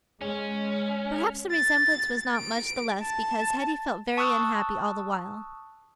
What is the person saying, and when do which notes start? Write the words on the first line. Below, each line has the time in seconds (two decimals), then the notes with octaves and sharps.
Perhaps the resemblance was not much the less because Hetty felt very unhappy all the while.
0.21 G#3 C#4
1.51 A6
2.36 D7
3.03 A5
4.17 A5 C#6 D#6 E6 F#6